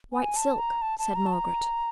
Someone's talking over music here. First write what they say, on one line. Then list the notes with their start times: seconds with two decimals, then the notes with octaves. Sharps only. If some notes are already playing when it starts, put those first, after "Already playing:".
'White silk,' said Margaret.
0.13 G#5
0.36 A5
0.58 A#5
0.82 A5
0.99 A5
1.15 A#5
1.26 A5
1.33 A#5